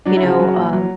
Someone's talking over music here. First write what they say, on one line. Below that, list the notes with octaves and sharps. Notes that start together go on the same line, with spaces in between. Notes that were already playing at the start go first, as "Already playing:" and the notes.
you know, um,
F#3 D4
E4
C#3 F#4
F#3 F#4
F#4
A#2
E4
F#3